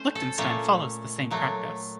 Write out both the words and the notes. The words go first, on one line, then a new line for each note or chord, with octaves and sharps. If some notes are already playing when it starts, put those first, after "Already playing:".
Liechtenstein follows the same practice.
Already playing: A3 C#4 C5
A4
A#2 A3 C#4
A#2 F#3 A3